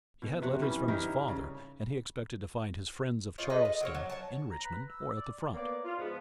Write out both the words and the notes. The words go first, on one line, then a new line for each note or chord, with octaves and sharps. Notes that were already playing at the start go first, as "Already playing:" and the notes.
He had letters from his father and he expected to find his friends of Charleston in Richmond or at the front.
B2
C3 C#5 F#5
E3 G3 C#4
D#3 D#4 E4 A#4
C#3
D#4 F4 A#4 C#5
G#3 A3 B4 D#5
D#5
F#3 A#3 C#5
F#3
C#5 A5
A#5
B4
E6
D5
A#3 B3 C#5 D5
F4
G#2 F3 B3